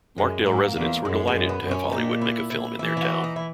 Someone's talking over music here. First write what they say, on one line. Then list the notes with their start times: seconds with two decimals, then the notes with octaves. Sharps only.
Markdale residents were delighted to have Hollywood make a film in their town.
0.17 F#2 G#3
0.46 G#2 A#3
0.76 E2 A#3
1.05 F#2 G#3
1.27 G#3
1.34 F#2
1.49 B3
1.63 F#2
1.71 C#4
1.92 A#2 D#4
2.21 E4
2.50 E4
2.79 E3 E4
2.97 E4
3.02 F#4
3.24 D#4
3.36 E4